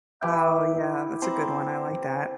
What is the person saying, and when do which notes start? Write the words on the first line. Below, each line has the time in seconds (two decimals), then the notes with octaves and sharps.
Oh, yeah. That's a good one. I like that.
0.22 E4 G4 B4
1.22 C4 C5 A#5 B5